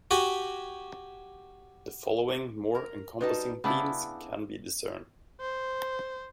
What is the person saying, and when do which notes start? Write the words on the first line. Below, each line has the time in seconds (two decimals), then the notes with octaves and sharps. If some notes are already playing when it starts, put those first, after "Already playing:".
The following more encompassing themes can be discerned.
0.11 F#4 G4 G#5
2.75 A#4
3.21 G3 D#4 F#4 B4 A5
3.64 C#3 B3 D4 E4
5.41 C5